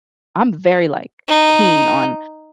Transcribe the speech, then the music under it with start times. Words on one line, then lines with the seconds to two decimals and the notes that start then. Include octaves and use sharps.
I'm very, like, keen on
1.28 D#4